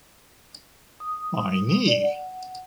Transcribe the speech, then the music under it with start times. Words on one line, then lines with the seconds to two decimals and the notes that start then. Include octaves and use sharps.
My knee.
1.00 D#6
1.88 D5
2.04 F#5